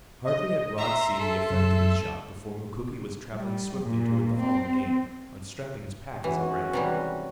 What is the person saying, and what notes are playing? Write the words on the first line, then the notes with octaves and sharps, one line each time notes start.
Hardly had Rod seen the effect of his shot before Mukoki was traveling swiftly toward the fallen game, unstrapping his pack as he ran.
D#5
E5 A#5 C6
A4
F#2 E6
G3
A#2
C4
G#1 E3 C#4 F#4
C3 E3 G3